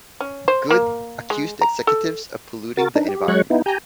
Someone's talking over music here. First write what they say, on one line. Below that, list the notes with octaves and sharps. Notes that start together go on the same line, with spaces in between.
Good accused the executives of polluting the environment.
C#4
C5
A#3
G#3
A#5
A4
F#4 A#4 A6
D4 D#4
G4
F#3 G#3 C#5 C#6 F#6
B3 D#4 E4
G4 G#5 A#5 G6